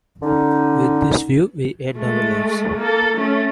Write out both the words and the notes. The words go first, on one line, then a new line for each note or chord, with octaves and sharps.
With this view we end our lives.
D3 C#4 D#4
G#3 A3
A#3 A4
A3 C#4